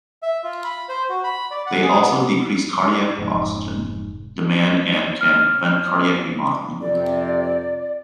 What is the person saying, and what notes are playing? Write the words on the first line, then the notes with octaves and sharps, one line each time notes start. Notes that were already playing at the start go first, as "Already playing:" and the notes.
They also decrease cardiac oxygen demand and can prevent cardiac remodeling.
E5
F4
B5
C5
F#4
B5
D5
F#5
G#4
B3
F1 G#2
F6
F2 C3 D5